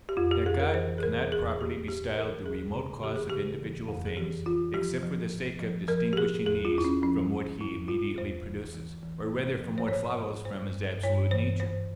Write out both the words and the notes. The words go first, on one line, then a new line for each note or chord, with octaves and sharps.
That God cannot properly be styled the remote cause of individual things, except for the sake of distinguishing these from what he immediately produces, or rather from what follows from his absolute nature.
G4
F2 F4
G4
F2 G#4
A#4
E3 C5
G#4
E3 A#4
E2 G#4
E2 G4
E2 G4
E3 A#4
E2 G#4
C#3
E3 G4
G#4
C#3 G4
E3
F2
G#4
E3 G4
E3 F4
F3 G4
F3
G#2
F3
F3 A#4
G4
F3 G#4
E2 G#4
F4
E2 E4
C#4
F3 C#4
G#2
G#2 E4
G#2 F4
E2 C5
E3
E3
E3
G#2
F3
C5
G#2 C#5
G#2
G2 C5
G2
G2 C#5
E3 C5
G#2 C5